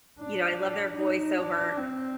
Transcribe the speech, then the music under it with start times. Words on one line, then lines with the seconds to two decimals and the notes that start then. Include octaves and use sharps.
you know, "I love their voiceover,"
0.19 D4
0.97 D#4
1.38 D4
1.77 C4